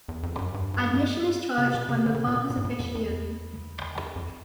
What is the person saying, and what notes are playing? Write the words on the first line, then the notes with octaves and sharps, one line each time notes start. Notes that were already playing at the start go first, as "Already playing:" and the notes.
Admission is charged when the park is officially open.
E2
F2
F#2
G2
G2
G2
C#3
C3
B2
C#3
C3
D3
C#3
A#2
B2
A#2
G#2
A2
F2
E2
F2